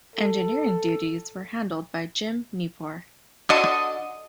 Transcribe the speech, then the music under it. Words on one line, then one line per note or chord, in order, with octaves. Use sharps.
Engineering duties were handled by Jim Nipor.
A4
D3 F#4 A4 D#5